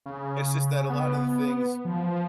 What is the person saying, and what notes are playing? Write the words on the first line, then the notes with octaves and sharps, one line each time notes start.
It's just that a lotta the things
C#3
B3
F3